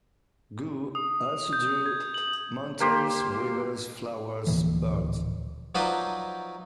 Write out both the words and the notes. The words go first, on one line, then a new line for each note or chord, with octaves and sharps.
Wu also drew mountains, rivers, flowers, birds.
D#6
G6
G#6
F#7
A#3 G4 C5
D1 A#2 E3 F3
F3 F#3 D#4 B4 C5 D5